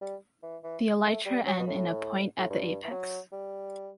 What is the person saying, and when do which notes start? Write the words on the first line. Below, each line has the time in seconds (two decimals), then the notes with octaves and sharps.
The elytra end in a point at the apex.
0.01 G3
0.43 E3
0.63 E3
1.05 A3
1.26 G3
1.46 F#3
1.59 B2
1.67 A2
2.38 A2
2.50 G2
2.84 E3
2.90 F#3
3.32 G3